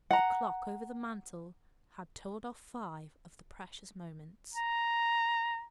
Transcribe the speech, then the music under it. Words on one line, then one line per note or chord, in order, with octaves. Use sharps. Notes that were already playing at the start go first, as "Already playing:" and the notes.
The clock over the mantel had told off five of the precious moments.
F#5 A#5
A#5